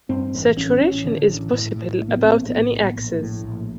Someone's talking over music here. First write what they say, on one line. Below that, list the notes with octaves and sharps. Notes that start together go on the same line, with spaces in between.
Saturation is possible about any axis.
G2 C4
A1
A1 C#4
A1 C#4
D3
A1
A2
A2
A#1 A3
A#3
B3
A#1 C4
A2 B3
A#1
A#1
A2
A#1